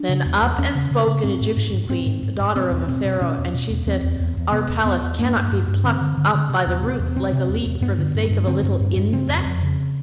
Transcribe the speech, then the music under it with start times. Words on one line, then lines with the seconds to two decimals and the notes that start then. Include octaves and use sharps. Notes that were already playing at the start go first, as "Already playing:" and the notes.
Then up and spoke an Egyptian Queen--the daughter of a Pharoah--and she said, 'Our Palace cannot be plucked up by the roots like a leek for the sake of a little insect.
Already playing: D4
0.09 C#3
0.26 E2
0.42 E2
0.58 E2 C#4
0.75 C#3
0.91 C#3
1.07 C#3
1.24 G#2 C4
1.41 G#2
1.57 G#2
1.73 G#2
1.90 G#2 C4
2.06 G#2
2.23 G#2
2.40 G#2
2.56 B2 C4
2.72 E2
2.88 B2 C4
3.05 B2
3.21 B2 C#4
3.38 E2
3.54 B2
3.70 E2
3.87 E2 C4
4.04 E2
4.20 E2
4.37 E2
4.52 C3 B3
4.69 E2
4.85 E2 B3
5.03 E2
5.19 G2 A#3
5.36 G2
5.52 G2
5.68 G2
5.84 D3 C4
6.01 D3
6.17 D3
6.34 D3
6.49 C3
6.67 E2
6.83 C3
6.99 E2
7.16 C3 C4
7.33 C3
7.49 E2
7.66 E2
7.81 G2 B3
7.98 D3
8.15 G2
8.30 G2
8.47 D3 C4
8.63 G2
8.80 G2
8.97 G2
9.13 C#3 C4
9.29 F2
9.45 F2
9.62 C#3